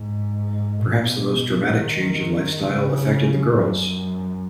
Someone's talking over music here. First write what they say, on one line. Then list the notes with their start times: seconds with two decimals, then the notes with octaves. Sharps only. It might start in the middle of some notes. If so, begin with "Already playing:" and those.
Perhaps the most dramatic change in lifestyle affected the girls.
Already playing: G#2
0.81 B2
1.71 D#3
2.62 C#3
3.53 F#2